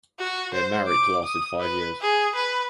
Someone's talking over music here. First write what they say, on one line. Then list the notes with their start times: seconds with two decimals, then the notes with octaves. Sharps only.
Their marriage lasted five years.
0.19 F#4
0.54 C5
0.87 D6
1.24 D#6
1.60 B4
2.01 G#4
2.35 B4